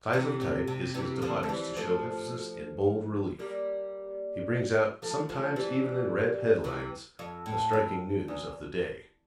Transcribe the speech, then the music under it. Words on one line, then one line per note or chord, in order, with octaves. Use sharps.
Size of type is his device to show emphasis in bold relief. He brings out sometimes even in red headlines the striking news of the day.
C3 E3
C3
C3
C3 E3
D3 F3
A3
E3 G3
F3 A3
G3 A#3
F3 A3
F3 A3
E3 G3
C3 E3
F2
A2
F2
E2